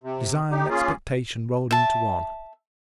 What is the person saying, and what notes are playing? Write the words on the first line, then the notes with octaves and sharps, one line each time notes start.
Desire and expectation rolled into one.
C3
D#4 G4
A#3 C#4 F4 G#4
E5 A5